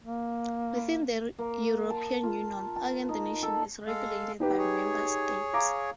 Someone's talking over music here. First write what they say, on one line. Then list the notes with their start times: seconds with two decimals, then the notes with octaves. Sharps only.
Within the European Union, organ donation is regulated by member states.
0.05 A#3
1.39 A#3
1.90 A5
2.23 F4
2.76 A5
3.09 D#4
3.43 A4
3.87 G#3 A4 F5
4.40 A#3 D#4 G4 B4
4.58 G#4 C#5
5.53 F5 A#5 D6